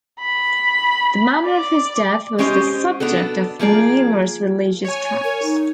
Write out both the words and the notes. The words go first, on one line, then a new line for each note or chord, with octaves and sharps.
The manner of his death was the subject of numerous religious tracts.
B5
D5
G#3 C#4 G4 C5 D5 D#5
B3 D4 F#4 A4
F3 A#3 G#4 D5
C#5 G#5
A#4
D#4